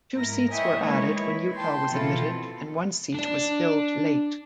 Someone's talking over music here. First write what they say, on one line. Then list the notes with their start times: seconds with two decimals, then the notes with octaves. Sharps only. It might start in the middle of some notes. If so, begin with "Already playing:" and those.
Two seats were added when Utah was admitted and one seat was filled late.
0.14 G#2 E4 A#4 A#6
0.50 E4 C#5 D#5 E5 G5 G#5
0.79 D#3 G#3 A#3 E4 B4 C#5
1.15 E4
1.54 G5 A5 C6
1.88 B2 E3 C4 E4 F4 A4
3.14 D4 D5